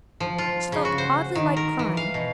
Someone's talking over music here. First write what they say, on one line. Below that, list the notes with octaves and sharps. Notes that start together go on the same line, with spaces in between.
She felt oddly like crying.
F3
F4
C#3
F#4
C5
D#3
A#4
E3
F5
B2